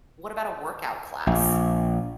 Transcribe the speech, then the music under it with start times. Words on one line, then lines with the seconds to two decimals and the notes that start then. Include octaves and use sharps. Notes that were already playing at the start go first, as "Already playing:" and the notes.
what about a workout class?
1.27 A#1